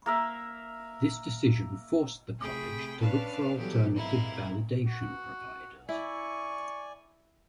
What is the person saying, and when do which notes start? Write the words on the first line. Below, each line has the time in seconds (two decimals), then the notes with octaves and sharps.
This decision forced the college to look for alternative validation providers.
0.06 A#3 A#4 E5
2.38 C3 A3 G#4 G5 B5
3.01 C#4 D4 B4 F5 A5
3.56 E3 F#3 G3 B3 G4 A4
3.95 G#2 C3 A#3 E4
4.88 F#4
5.89 E4 D5 G#5 C#6